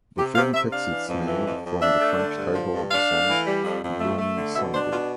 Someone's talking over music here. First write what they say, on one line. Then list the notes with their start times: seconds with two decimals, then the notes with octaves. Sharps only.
The film takes its name from the French title of the song "Gloomy Sunday".
0.18 C3 G4
0.36 C3 F5
0.54 C3 E5
0.72 D4 F5
0.90 E3
1.09 F2
1.27 E3
1.45 F2
1.63 F2
1.81 D4 E5
2.00 A3
2.18 D3
2.36 G2
2.54 F3
2.73 G2
2.91 D4 F5
3.09 A3
3.27 E3
3.46 G3
3.64 F2
3.82 F2
4.00 A3
4.18 A3
4.36 D3
4.55 B2 E5
4.73 D4 C5
4.91 B2 F4